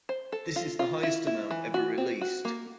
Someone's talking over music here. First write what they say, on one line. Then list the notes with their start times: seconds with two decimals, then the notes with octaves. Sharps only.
This is the highest amount ever released.
0.09 C5
0.32 A4
0.56 F4
0.79 F4
1.03 E4
1.27 E4
1.51 E3
1.74 F#4
1.98 C4
2.21 F#4
2.45 A#3